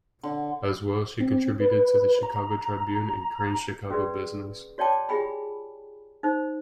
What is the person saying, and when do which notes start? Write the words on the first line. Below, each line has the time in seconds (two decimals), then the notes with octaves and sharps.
As well, she contributed to the "Chicago Tribune" and "Crain's Chicago Business".
0.23 D3
1.20 C4
1.60 B4
2.23 A#5
3.90 C#4 F#4 G#4 B4 D5
4.78 F#4 C#5 D5 G5 A5 D6
5.09 F4 G4 G#4 G#5 B5
6.23 D#4 C5